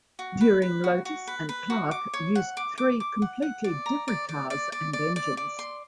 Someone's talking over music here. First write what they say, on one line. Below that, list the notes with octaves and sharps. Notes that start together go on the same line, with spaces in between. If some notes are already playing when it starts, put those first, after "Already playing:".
During Lotus and Clark used three completely different cars and engines.
F#4
B4
B4
F#4
F#4
B4
B4
F#4
D6
C#5
F#5
D6
D6
D6
F#5
F#5
D5
A#5
D5
D5
D5
D5
D5
D5
D5
C6